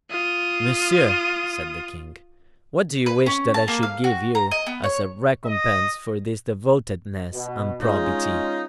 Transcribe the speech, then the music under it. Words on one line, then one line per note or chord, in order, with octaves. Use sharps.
"Monsieur," said the king, "what do you wish that I should give you, as a recompense for this devotedness and probity?"
F4 D#6
B4
C#4
A5
A#3
F5
F#4
A#5
D#5
B3
C#5
D#5
B2
G#3 C#4 D#4 F4